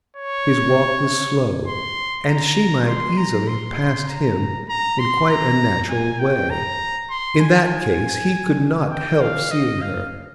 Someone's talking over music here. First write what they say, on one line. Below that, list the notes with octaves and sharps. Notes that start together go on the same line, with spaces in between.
His walk was slow, and she might easily have passed him in quite a natural way; in that case he could not help seeing her.
C#5
C6
A#5
C6
A#5
C6
A#5
A#5
C6
A#5
G#5
G5
A#5
C6
G#5
G5
F5
D#5
F5